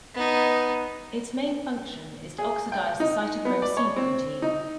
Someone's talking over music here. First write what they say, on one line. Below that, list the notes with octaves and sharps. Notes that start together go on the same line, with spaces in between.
Its main function is to oxidise the Cytochrome c protein.
B3 D#4
G#4
G5
D#4
B3
D5
C#5
C4
D#4